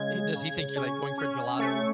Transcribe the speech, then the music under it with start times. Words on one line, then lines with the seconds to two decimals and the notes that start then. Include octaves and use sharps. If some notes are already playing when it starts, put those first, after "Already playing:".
Eh, does he think you're, like, going for gelato?
Already playing: C#3 G#3 G#6
0.34 C#3
0.76 C#4
1.18 C#4
1.59 A3 C#6